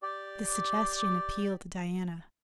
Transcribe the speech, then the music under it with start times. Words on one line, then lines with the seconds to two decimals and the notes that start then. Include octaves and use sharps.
The suggestion appealed to Diana.
0.02 G4 D5